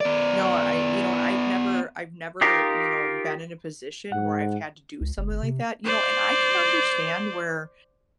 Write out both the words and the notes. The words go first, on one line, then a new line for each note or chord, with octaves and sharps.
No, I you know, and I've never I've never, you know, been in a position where I've had to do something like that, you know, and I can understand where,
B3 D5
D#4 F4 G4 A#4
G#2 F#5
C#2
F#1
G1
C3
C5 D5